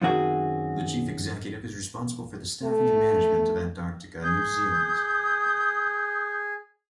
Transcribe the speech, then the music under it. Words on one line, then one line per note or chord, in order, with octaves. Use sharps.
The Chief Executive is responsible for the staffing and management of Antarctica New Zealand.
F#2 D#3 C4 F#4 G#4
A3
G#4 D#6 G6